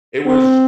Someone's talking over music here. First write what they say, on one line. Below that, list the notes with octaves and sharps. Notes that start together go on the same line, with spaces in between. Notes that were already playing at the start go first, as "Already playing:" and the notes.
it was
C4